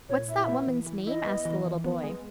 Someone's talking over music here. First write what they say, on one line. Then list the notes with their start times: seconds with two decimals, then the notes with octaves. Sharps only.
"What's that woman's name?" asked the little boy.
0.09 A#2 C#5
0.28 E4 E5
0.48 B3
0.67 E3
0.86 E3
1.07 E4 D#5
1.26 B3
1.45 E3
1.65 E3
1.84 B3
2.04 G#3